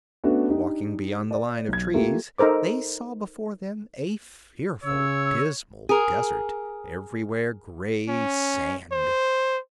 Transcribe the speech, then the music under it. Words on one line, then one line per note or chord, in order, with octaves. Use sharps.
Walking beyond the line of trees they saw before them a fearful, dismal desert, everywhere gray sand.
A3 B3 C#4 D4 F#4
D4 D#4 G4
D5
B1 G#6
A3 A#3 F4 G4
D#4 A4 A#4 C5 D6
C#3 C#5 E6
G#4 A#4
C#4
C5